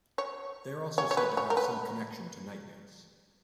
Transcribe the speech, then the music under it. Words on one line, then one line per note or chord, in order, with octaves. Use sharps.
They are also said to have some connection to nightmares.
C#5
C#5
C#5
B4
C#5
A#4
B4